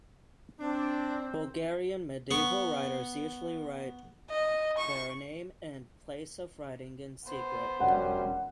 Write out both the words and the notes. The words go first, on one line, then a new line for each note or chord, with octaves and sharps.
Bulgarian medieval writers usually write their name and place of writing in secret.
C4 D4
B3 C#6
D#5
C#6
B3 C5
E1 F#2 G3 F#5